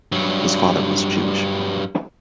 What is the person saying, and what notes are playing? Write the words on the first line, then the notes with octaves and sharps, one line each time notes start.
His father was Jewish.
G2 F#3